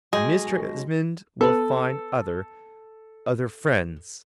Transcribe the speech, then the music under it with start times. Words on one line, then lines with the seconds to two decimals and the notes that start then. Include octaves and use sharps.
'Mr. Esmond will find other--other friends.
0.13 B1 G#3 F#4 G#4 D#5 G5
1.41 B3 A4 B4